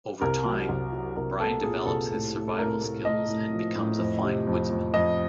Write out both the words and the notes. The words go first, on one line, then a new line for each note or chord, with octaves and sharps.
Over time, Brian develops his survival skills and becomes a fine woodsman.
C2 A#4
F#3
C2
F#3
C2 A#4
B3 A4
A#2 G#4
C2 A4
A2 A4
A2
A4
A2 A#4
A3
A3 D#5
A2
F3
A2
F2
C3
F2
F2
F2 D#5